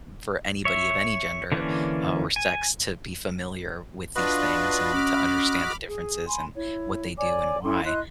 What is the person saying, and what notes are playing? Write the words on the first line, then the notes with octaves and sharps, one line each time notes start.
for anybody of any gender, uh, or sex to be familiar with these things and to understand the differences and what they do and why.
C#5 E5
D3 E3 A#3 C#4 D4
G#5
D4 F4 F#4 B4 D#5
C#4 B5 D6 F6
G#4
G#5 B5 C6
E4 C#5
C#5 D5 G#5 D6
C#4 E4 A4 C6
E4 D#5 C6 F#6